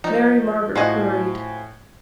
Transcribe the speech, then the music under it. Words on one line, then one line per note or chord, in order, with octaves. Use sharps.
Mary Margaret hurried.
F3 D#4
A2 F3 F#4 D#5 G#5 G#6